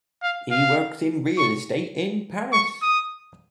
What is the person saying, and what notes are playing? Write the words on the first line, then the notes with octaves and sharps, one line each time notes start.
He works in real estate in Paris.
F5
F5
C#6
C#6
D#6